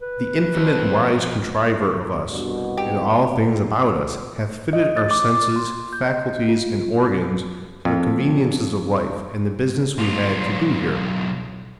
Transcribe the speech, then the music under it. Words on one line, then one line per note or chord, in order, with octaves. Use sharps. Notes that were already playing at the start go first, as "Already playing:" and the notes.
The infinite wise Contriver of us, and all things about us, hath fitted our senses, faculties, and organs, to the conveniences of life, and the business we have to do here.
B4
F2
C2 G2 B2
G4
D#5
A6
D6
C6
G6
D#5
F4
F2
B1 F4